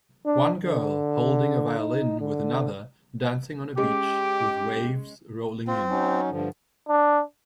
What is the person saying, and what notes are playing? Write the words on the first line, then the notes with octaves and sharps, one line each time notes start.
One girl holding a violin with another dancing on a beach with waves rolling in.
D4
D3
D#4
D3
G#3 C#4 G4 D6
C4 F4
F#3 C#4 D#4
G2 D3 F3
D4